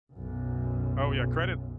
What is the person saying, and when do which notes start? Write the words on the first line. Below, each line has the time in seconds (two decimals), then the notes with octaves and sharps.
Oh, yeah credit
0.13 B1 F#2